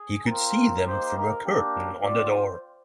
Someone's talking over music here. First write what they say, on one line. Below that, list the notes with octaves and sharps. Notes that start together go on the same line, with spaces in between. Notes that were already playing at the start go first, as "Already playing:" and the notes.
He could see them through a curtain on the door.
Already playing: G#4
C4 F4 A#4
A#3 D#4 G4 C5
A#4
A#3 D4 G4
C4 F4 D5
C5